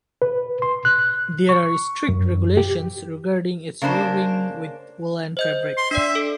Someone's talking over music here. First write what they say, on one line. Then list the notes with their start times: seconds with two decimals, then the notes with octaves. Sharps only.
There are strict regulations regarding its wearing with woollen fabrics.
0.22 B4
0.62 C6
0.85 F#6
1.49 C#6
2.09 F#2
2.57 G4
3.82 C#3 A#3 D4 C5
5.37 C5 D#5 G6
5.77 C6
5.91 D4 D5 E5
6.15 A4